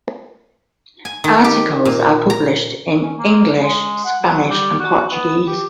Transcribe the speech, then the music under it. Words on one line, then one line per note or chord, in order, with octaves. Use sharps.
Articles are published in English, Spanish, or Portuguese.
G#5
D#3
G4
A#2
A#5
C#4
A#3
G#3
F#5
F#3
G3
F#4
B3
G4